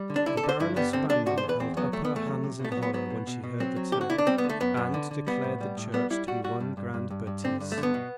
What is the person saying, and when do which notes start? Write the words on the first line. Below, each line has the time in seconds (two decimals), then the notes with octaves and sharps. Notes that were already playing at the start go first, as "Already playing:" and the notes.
The Baroness Banmann held up her hands in horror when she heard the tale, and declared the Church to be one grand betise.
Already playing: G3
0.10 D3
0.16 D4
0.26 D3 E4
0.37 A4
0.43 D3
0.49 C5
0.60 G2 E4
0.76 G3 B3
0.93 D3 C4
1.10 D3 D4
1.26 C3 F#4
1.38 C5
1.43 E2
1.49 B4
1.60 E2 C4
1.77 F#3 B3
1.93 E2 A3
2.05 B3
2.10 E2
2.16 A3
2.27 F#3
2.44 C3
2.60 B2 A3
2.72 B3
2.77 F#3
2.83 B3
2.93 F#3 B3
3.10 B2
3.27 B2
3.44 B2
3.60 F#3 C4
3.76 F#3
3.92 D3 G4
4.01 F#4
4.10 D3 E4
4.18 D4
4.27 G3 C4
4.38 B3
4.44 D3
4.49 A3
4.60 F#2 B3
4.77 F#2
4.94 D3
5.11 D3
5.27 G3 B3
5.44 A2
5.60 G3
5.77 A2
5.94 G3 B3
6.10 G3 E4
6.27 G3 F#4
6.44 G3 F#4
6.60 G2
6.77 G2
6.94 G2
7.10 G2
7.27 G2
7.44 D3 C4
7.60 G2
7.72 A3
7.78 D3
7.83 B3
7.94 B2